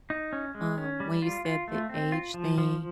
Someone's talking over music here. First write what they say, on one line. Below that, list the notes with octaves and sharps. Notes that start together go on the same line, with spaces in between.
um, when you said the age thing
D#4
C#4
G#3
C#4
G3
F4
F4
A3
C4
F4
F3
F3